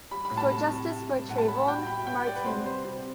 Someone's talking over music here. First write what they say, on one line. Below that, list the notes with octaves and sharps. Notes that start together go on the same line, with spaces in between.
For justice for Trayvon Martin.
G3 B5
B5
A2
A5
C3
C3
C3
G3
A2 F#5
A5
G3 B5
B2 G5
B2 B5
B2 G5
F#5
G3 D5
B4
C3 C5
G3 C5
C3